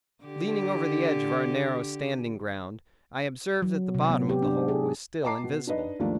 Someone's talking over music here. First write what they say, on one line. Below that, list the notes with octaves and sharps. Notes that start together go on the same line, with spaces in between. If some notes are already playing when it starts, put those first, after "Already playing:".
Leaning over the edge of our narrow standing ground, I observed that the bottom of the hole was still invisible.
D3 G4
F#3
C3
B3
G4
D4
G#4
D#5 G5 A5 A#5 D6 C7
B2
D4 D#4 B4 D#5
D#2 G#2 F3 A3 A#3 D4